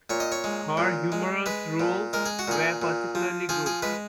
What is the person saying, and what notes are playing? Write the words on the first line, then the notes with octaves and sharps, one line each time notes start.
Her humorous roles were particularly good.
A#2 C#5
D#5
C#5
G#3
A#2
G#3
G#3 B4
A#2
G#3 A#4
G#4
F#4
A#2 G#4
A#2
F3
F3 G#4
G#4
G#3 B4